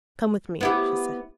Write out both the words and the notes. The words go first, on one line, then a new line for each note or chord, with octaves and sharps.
'Come with me,' she said.
B3 E4 G4